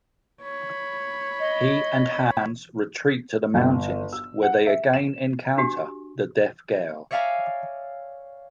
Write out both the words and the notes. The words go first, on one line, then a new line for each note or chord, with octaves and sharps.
He and Hans retreat to the mountains where they again encounter the deaf girl.
C#5 B5
D#5
G1
E6
F#5
E5
E7
D4 F#4 G4
C#5 D5 E5 F5 G#5 A#5